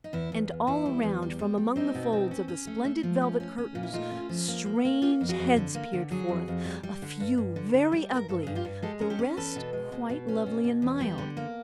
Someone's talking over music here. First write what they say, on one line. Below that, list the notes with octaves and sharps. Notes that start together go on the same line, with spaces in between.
And all around, from among the folds of the splendid velvet curtains, strange heads peered forth; a few very ugly, the rest quite lovely and mild.
D#4
E2 E4
E2
E2
E2 E4
G3
E2
G3
G3
G3
C4 D#4
B2
C4
C#4
C#4
A3
A3
F3
C#4
C#4
C#4
A#2
E4
A3 D#4 F4
C#4
F3
A#3
A#3
A#3
A#3 F4 G4
F2
F#4 G#4
F2
D3
A#3
D3
F#3 F#4 G#4
F2
F2
G3
G3
D3
G2
G2
D3
D3
G3
G2 A#4
G2 A4
G2 G#4
F4 G4
G2
G#3 G4 A4
C#4 A#4
G4 A4
C#4
E2 A4 B4
B2
G#3
B2
B2
C#4
B2
B2
E2
G3
D3
A#3